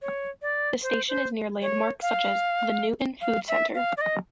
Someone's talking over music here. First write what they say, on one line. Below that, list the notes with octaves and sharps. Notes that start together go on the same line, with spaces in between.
The station is near landmarks such as the Newton Food Centre.
C#5
D5
C5
C5
C#5
F5
F5
E5
F5
D5
D#5